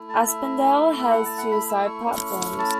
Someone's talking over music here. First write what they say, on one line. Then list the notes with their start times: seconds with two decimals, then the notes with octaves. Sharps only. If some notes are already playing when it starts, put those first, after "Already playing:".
Aspendale has two side platforms.
Already playing: A3 E4
0.09 A5
0.27 E5
0.98 E5
1.11 F#5
1.25 A5
1.38 F#5
1.52 B5
1.69 E6
1.86 C#6
2.05 A3 C#4 E4
2.59 A5